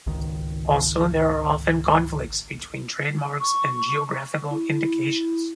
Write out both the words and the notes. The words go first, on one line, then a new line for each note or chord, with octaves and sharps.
Also, there are often conflicts between trademarks and geographical indications.
G#1 C#2 D#3
C#6
E4